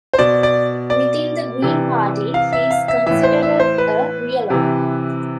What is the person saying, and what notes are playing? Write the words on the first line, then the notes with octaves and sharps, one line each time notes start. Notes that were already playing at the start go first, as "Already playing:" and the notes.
Within the Green Party, he is considered a Realo.
C5
B2 D5
D5
D5
C3 E3
F5
E5
F5
E5
A2 E3 E5
C5
E5
C5
B4
C3 E3